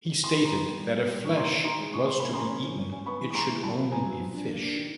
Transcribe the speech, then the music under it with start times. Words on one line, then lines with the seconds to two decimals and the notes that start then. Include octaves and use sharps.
He stated that if flesh was to be eaten it should only be fish.
0.23 E3 C6
0.34 E3 B5
0.45 A#5 C6
0.52 B3
0.66 G3
0.80 G3
0.94 A#3
1.08 G3
1.22 A#3 C#6
1.36 D#3 A#5 C6
1.51 D#3
1.64 D#3 A#5 C6
1.79 G#3
1.93 C#3 C#6
2.07 C#3 C6
2.20 A#3 B5
2.33 C#4 A#5 C6
2.50 C#4
2.63 F3
2.78 C#4
2.92 C#4
3.06 B3 B5 C#6
3.21 E3
3.30 C#6
3.34 G#3 A#5 C6
3.49 E3
3.63 F#3 A5 B5
3.77 B2
3.91 B3 G#5 A#5
4.06 F#3
4.20 F3
4.34 D4
4.48 A#3
4.62 D4
4.77 D#3